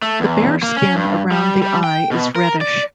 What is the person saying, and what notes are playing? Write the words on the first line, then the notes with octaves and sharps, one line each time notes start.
The bare skin around the eye is reddish.
A3
E2
A#3
C#4
G2
G3
G3
G5
B2
A#4
D5